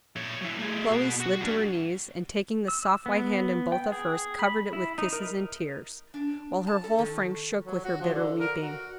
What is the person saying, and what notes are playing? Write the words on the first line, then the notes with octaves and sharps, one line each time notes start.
Chloe slid to her knees, and taking the soft white hand in both of hers, covered it with kisses and tears, while her whole frame shook with her bitter weeping.
A#2 C#5
F#3 E4
A3 G#4
B2 F#4
F#4 F#5
G3 D4
E6
B3
G5
G#4
B5
E4
D#4
A#4
D4
A5
A4
D#3
F#3
F#4
F3
D3
A#4
F#4